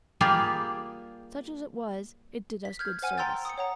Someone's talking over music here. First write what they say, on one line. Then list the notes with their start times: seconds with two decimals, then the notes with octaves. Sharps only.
Such as it was, it did us good service.
0.21 G3 A#3 F4 G4 G#4
2.65 B6
2.79 F6 G6 G#6
3.02 C5 F#5 G#5 F6 D#7
3.18 G5 A#5 C6 E6 G6 A6
3.45 D#6 C#7
3.58 C#5 F#5 A#5